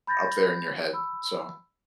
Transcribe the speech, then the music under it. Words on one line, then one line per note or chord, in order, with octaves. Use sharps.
up there in your head. So,
B5 G6 A6 A#6
B5 E6